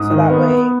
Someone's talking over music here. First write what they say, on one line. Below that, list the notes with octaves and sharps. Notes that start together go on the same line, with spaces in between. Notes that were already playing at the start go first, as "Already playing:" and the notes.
So that way,
Already playing: G#2 D#6
D#3
B3
B3